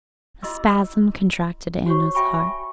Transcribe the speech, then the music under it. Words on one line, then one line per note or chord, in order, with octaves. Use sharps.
A spasm contracted Anna's heart.
E4 D#5 C6 D6 E6
F#4 C5 C#5 C#6
E5 G5 G#5 B5 C#6